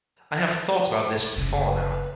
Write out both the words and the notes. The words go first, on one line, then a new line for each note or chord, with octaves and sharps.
I have thought about this before now.
F#1 C#3
B4